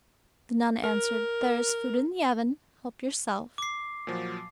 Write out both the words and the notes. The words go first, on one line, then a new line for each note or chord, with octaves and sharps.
The nun answered: 'There is food in the oven, help yourself.'
A#4
D6 C7
A#2 F3 F#3